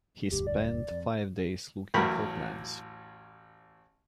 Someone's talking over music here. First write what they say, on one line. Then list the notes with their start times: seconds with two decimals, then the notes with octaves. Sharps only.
He spent five days looking for plants.
0.31 E1 D2 G2 G4
0.47 D5
0.91 F2
1.94 A1 E2 A2 F#3 A#4 B5